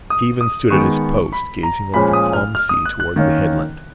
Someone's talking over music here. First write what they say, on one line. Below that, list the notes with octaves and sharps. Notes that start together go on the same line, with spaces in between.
Stephen stood at his post, gazing over the calm sea towards the headland.
D#6
D#6
D#3 G#3 B3 C#6
B5
A#5
A#2 F3 G#3 C#4 B5
D#6
F6
F6
D#6
F#6
F#6
D#3 A#3 C#4